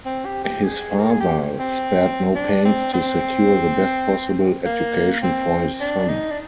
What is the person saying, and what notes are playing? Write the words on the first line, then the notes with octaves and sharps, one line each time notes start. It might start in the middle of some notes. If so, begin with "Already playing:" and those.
His father spared no pains to secure the best possible education for his son.
C4
G4
G4
G#4
A#4
G#4
G4
C4
D4
C4
C4
A#3
C4
D4
D#4
D4